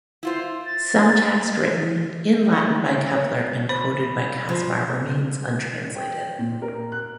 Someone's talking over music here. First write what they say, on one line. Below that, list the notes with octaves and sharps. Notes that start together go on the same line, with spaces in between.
Some text written in Latin by Kepler and quoted by Caspar remains untranslated.
E4 F4 C5
A6
G#3 F#5
A#3 C#5
C5 B5
F3
G5
A#2
A#4
F#6